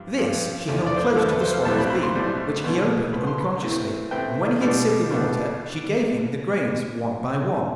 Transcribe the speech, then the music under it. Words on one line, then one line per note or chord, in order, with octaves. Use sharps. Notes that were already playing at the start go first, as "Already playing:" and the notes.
This she held close to the swallow's beak, which he opened unconsciously, and when he had sipped the water she gave him the grains one by one.
Already playing: G2 F3 D4
G2 F3 B3 D4
E2 D3 F3 A3
D5
C5
B4
E2 D3 F3 A3 A4
B4
C5
F5
B1 A2 G3 C4 A5
B5
B5
C6
B1 A2 G3 C4
C2 B2 B3
C2 B2 B3 B5
C6
B5
A2 E3 A3 C4
A2 E3 A3 C4 G5
B2 G3 B3 D4
B2 G3 B3 D4